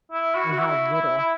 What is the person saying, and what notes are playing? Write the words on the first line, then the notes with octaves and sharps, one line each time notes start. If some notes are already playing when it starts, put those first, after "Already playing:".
And how little.
E4
F#4
F#4
E4
E4
E4